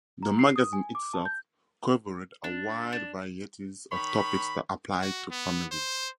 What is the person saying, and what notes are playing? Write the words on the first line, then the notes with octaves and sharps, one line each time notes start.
The magazine itself covered a wide varieties of topics that applied to families.
A#5
C7
D#6
G#5
D6
A5
G6
D4
D4
D#3 C#5 B5
F#4
B3
C5